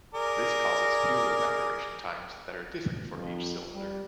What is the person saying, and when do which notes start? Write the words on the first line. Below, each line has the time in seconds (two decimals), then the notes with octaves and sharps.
This causes fuel evaporation times that are different for each cylinder.
0.14 G#4 A#4 D5
3.15 F2
3.74 G3